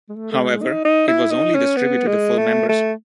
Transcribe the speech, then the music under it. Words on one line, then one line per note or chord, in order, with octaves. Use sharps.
However, it was only distributed to full members.
G#3
A3
A3
G#3
D#4
D#4
E4
D#4
C#4
B3
G#3
A3
A3